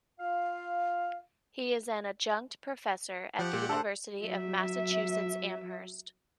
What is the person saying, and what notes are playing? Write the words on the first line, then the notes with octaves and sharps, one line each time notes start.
He is an adjunct professor at the University of Massachusetts Amherst.
F4 F5
F3 G4 F#5
A#2
D4 A4 C5
F#3 E5